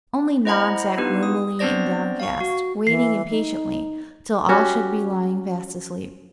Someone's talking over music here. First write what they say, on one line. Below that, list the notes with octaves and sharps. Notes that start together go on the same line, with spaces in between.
Only Nod sat gloomy and downcast, waiting impatiently till all should be lying fast asleep.
E4 C5 D#5 F#5 A#5 B5
B3 D4 D#4 F4 G4 B4
D#6
B3 C4 D4 C5 D5 A#6
F5 C#6
F#4
E3 C7
D#4
C#4 F#4 G4